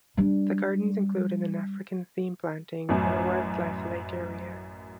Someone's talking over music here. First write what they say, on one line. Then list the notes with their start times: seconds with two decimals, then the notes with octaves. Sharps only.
The gardens included an African theme planting and a wildlife lake area.
0.17 G3 D4
2.89 A1 F#2